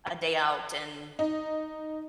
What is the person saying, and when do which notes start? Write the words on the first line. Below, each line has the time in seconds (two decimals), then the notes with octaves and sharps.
a day out, and
1.19 D#4